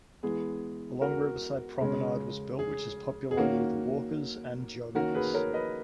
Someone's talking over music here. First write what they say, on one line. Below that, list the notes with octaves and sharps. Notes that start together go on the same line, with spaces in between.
A long riverside promenade was built which is popular with walkers and joggers.
E3 G#3 B3 G#4
F#4 A#4
C#3 G#3 C#4
G#4
G#4
D#3 A#3 C#4 F#4
D#3 A#3 C#4 F#4 A#4
G#4 B4
A#4 C#5
B4 D#5